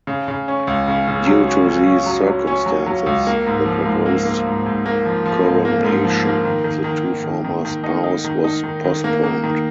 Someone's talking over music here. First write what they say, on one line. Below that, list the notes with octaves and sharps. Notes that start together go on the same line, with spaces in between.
Due to these circumstances, the proposed coronation of the two former spouse was postponed.
C#3
C#3
C#4
C#2
C#3
C#3
F#3
C#4
C#3
C#4
F#3
F#3
C#4
F#3
F#3
C#2
A#3
G#2
F3
G#2
A#3
A#3
G#2
G#2
A#3
F3
F3
G#2
A#3
G#2
F3
A#3
D#3
D#3
D#3
D#3
D#3
D#3
D#3
D#4
D#4
D#3
D#4
D#3
D#3
A#3
A#3
D#3